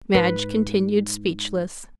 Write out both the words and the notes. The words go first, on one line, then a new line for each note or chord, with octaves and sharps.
Madge continued speechless.
G#2 B4